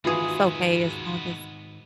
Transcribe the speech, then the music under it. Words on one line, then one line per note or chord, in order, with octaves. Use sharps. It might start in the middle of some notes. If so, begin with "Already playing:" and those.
it's okay as long as
G#2 D#3 E3 G#3 B3 F4 F#4 G#4